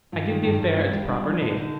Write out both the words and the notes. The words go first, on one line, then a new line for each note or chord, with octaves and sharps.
I give the affair its proper name.
G2 F4
D#3
G2
G2
D4 F4
G3
D4
D4
D3 D#4
D3